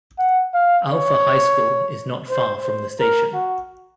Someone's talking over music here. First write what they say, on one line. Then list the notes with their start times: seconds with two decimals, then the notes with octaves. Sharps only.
Alpha High School is not far from the station.
0.19 F#5
0.54 F5
0.89 C#5
2.30 C5
2.64 C5
3.00 A#4
3.34 F#4